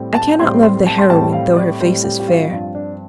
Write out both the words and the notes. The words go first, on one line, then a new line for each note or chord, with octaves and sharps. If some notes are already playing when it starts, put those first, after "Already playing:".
I cannot love the heroine, though her face is fair.
Already playing: A2 G3 C4
A5
A2 G3 C4 C6
C6
A5
C6
A2 G3 C4 A5
F5
D5
A2 G3 C4 C5
G4
G4
F4
G2 F3 C4 F4
D4